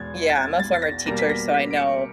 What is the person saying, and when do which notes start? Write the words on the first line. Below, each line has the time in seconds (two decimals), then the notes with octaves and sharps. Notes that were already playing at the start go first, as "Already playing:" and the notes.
Yeah, I'm a former teacher, so I know
Already playing: E2 B2 G#3 G#6 A6
0.29 A6
0.35 G#6
0.59 A6
0.73 A6
0.82 A#6
1.06 B2 G3 A#3 A#6
1.18 B6
1.29 A#6
1.54 B6
1.71 D7
1.77 C#7